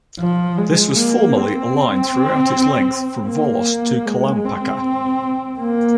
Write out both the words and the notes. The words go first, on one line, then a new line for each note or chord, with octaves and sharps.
This was formerly a line throughout its length from Volos to Kalampaka.
F3
G#3
A#3
C4
A#3
G#3
C4
A#3